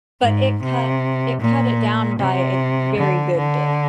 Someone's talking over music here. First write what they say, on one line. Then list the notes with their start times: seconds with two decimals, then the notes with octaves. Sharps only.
but it cut it cut it down by a very good bit.
0.22 G#2
0.62 C3
1.41 A#2
2.19 C3
2.97 D3
3.37 D3